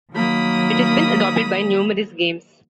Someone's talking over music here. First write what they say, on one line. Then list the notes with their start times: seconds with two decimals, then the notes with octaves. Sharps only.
It has been adopted by numerous games.
0.13 D#3 F#3 A#3 B5 D#6